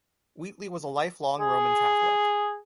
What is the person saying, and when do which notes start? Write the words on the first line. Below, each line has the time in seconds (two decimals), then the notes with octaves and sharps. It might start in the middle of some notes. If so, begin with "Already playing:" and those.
Wheatley was a lifelong Roman Catholic.
1.40 G#4